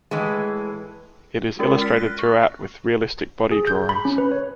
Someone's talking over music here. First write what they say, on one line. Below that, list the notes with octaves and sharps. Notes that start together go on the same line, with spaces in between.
It is illustrated throughout with realistic body drawings.
A2 E3 G#3
G#3 C#4 F4 A#4
F6 A6 B6 C7
F#6 A#6
C#6
G#4
G6
B5
C#4
B4
C#5